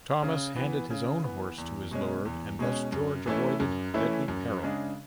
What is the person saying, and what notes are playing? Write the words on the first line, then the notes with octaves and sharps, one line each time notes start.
Thomas handed his own horse to his lord and thus George avoided "deadly peril".
C#3
E3 B3
C#3
E3 B3
E2
B2 G#3 C#4
E2
B2 G#3 C#4
F#2
E3 A3 C#4 E4
F#2
E3 A3 C#4 E4
F#2
C#3 G#3 D4